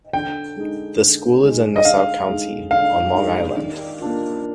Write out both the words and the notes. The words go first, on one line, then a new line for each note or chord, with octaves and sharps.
The school is in Nassau County on Long Island.
D3 G5
G#3 D#4
D3
G#3 D#4
D#5
D3 F5
G#3 D#4
D3 F5
G#3 D#4
D#3
A#3 D4 F4